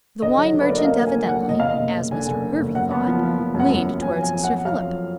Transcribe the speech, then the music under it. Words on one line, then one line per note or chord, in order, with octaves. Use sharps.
The wine-merchant evidently, as Mr. Hervey thought, leaned towards Sir Philip.
D3 D#5
F#3
D3
B4
A#3 D5
D#5
A#3 F5
D3
G#5
D3
F#5
F#3
F#1 D#5
F5
F#1 D#5
F#1
F#1
D3 G#5
F#1
D3
F#1
F#2 F#5
B3
F3
F3
F3
F#2
F#5
F#2
F3
F#3 G#5
F2 G#5
F2
F#5
F2
F#3 F5
F2